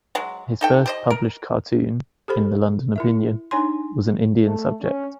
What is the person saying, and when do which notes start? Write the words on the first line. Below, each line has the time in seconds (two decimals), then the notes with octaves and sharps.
His first published cartoon, in the "London Opinion", was an Indian subject.
0.15 F#3 G#3
0.61 D#4 A4 G5
0.86 G4 C5 D#5
1.10 A#4
2.28 G4 A4 C5 B5
2.96 E4 A#4 E5
3.51 D4 D#4 C#5 G#5 C6
4.45 A3
4.82 C#4